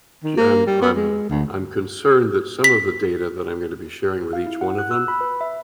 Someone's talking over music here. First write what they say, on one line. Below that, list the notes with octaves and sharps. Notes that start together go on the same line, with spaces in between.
ju um, I'm I'm concerned that some of the data that I'm going to be sharing with each one of them
D#3
A#3
G3
B3
G#3
D2
B6
F5
E4
F#5
F#6
E6
B5
B4
E5